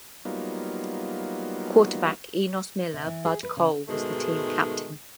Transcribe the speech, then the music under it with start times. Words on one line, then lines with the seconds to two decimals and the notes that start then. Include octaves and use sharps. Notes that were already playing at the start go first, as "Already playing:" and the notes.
Quarterback Enos Miller "Bud" Cole was the team captain.
0.25 F#3 G3 A#3 B3 D#4 F4
2.93 C3
3.07 E3
3.25 G#4
3.43 B4
3.57 C#3
3.88 G#2 B2 D#3 G#3 A3